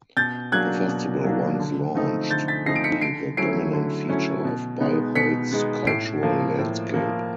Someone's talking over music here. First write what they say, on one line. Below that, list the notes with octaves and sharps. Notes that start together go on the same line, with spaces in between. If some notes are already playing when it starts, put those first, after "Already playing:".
The Festival, once launched, would be the dominant feature of Bayreuth's cultural landscape.
B2 G6 A6
F#3 A#3 D4 F#6 G#6
B2
F#3 A#3 D4
D3
F3 A3 C4 D#4
D3 G6 A6
A6 B6
F3 A3 C4 D#4 A#6 C7
D7
B6 C#7
D3 C7 D7
F#3 A3 C#4 E4 C7 D7
D3
F#3 A3 C#4 E4
B2
G#3 B3 D#4
B2 B6 C#7
G#3 B3 D#4
A2 C7 D7
F3 A#3
A2
F3 A#3